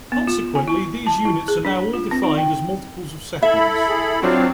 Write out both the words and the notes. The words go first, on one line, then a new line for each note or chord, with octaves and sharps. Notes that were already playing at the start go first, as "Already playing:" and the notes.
Consequently, these units are now all defined as multiples of seconds.
B3
F4
G#5
E4
A5
E4
G#4
D4
F4
C4
D#4
G5
E4 A4 E5 B5
G#4
F#3 C4 D4 F4 C#5